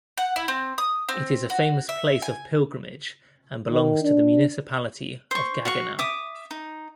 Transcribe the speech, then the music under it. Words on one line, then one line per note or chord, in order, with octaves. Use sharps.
It is a famous place of pilgrimage and belongs to the municipality of Gaggenau.
F#5
E4
C4
D#6
C4
F#4
E5
G#5
D#3
D4
C5 C#6
F#4 F5 C#6
E5 D6 D#6
D#4